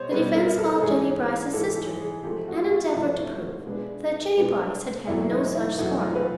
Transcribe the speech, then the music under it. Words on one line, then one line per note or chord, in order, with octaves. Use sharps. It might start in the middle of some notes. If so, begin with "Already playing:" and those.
The defense called Jennie Brice's sister, and endeavored to prove that Jennie Brice had had no such scar.
Already playing: B2 G3 C5 C#5 D#5
B2 G3 C4 B4
A#4
A4
A4
G#2 E3 G#3 G#4
G#2 E3 G#3 A4
G#4
G#4
G#2 F3 A3 C4 G4
F#4
F#4
F4
G#2 F3 A3 C4 E4
B2 G#3 B3 D4
B2 G#3 B3 D4
E2 B2 F#3 A3 E4
D#4
E4
E2 B2 F#3 A3 D#4
F4
B4